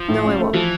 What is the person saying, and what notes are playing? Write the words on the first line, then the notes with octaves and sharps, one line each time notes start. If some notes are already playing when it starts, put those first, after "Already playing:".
No, I won't.
Already playing: F3
A2
C#4
A3
E3 F3